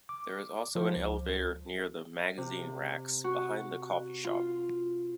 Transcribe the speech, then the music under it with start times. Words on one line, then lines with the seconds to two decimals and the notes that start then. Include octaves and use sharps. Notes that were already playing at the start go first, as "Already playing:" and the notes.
There is also an elevator near the magazine racks, behind the coffee shop.
0.09 D6
0.75 F3
0.97 C#2
2.38 C3
3.24 F#4
4.24 F4